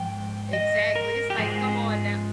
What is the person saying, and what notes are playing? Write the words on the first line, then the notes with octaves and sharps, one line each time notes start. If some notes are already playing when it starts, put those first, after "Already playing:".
Exactly, it's like, "Come on now"
Already playing: G#2 F3 G5
D#5
A#4
G4
G#2 F3 G#3 G#4